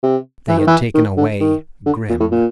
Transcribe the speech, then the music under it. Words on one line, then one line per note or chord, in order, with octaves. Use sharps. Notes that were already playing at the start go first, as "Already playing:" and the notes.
They had taken away Grimm.
C3
E3
D#3
E3
D#3
D3
D#3
D3
A#2
A2
A#2